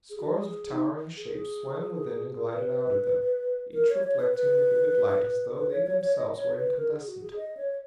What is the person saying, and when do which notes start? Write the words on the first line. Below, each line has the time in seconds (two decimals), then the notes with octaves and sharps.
Scores of towering shapes swam within and glided out of them, each reflecting the vivid light as though they themselves were incandescent.
0.10 G#4
0.19 F#4
0.28 G#4
0.71 D#4
1.17 G#4
1.31 G#4
2.52 B4
3.73 A#4
3.89 C#5
4.04 C#5
4.20 B4
4.34 B4
5.56 B4
5.70 C#5
5.86 C#5
6.01 C#5
6.16 D#5
6.36 C#5
6.56 B4
6.77 A#4
6.92 G#4
7.07 F#4
7.22 G#4
7.36 D#5
7.57 C#5